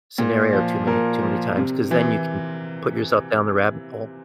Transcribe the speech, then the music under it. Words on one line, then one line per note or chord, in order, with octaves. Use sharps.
scenario too many too many times 'cause then you can put yourself down the rabbit hole.
A#2
F3
A#2 A#4
F3
C3
E3